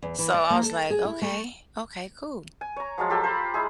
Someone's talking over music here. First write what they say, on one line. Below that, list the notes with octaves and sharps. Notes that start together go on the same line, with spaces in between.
so I was like, "Okay. Okay. Cool."
E2
E3
D5
A#3
A4
G#4
E4
A3
G#5
C#5 A#5
F3 F#3 G#3 F4
F4 G4 A4
C5 A#5 B5
G#3 E4 G#4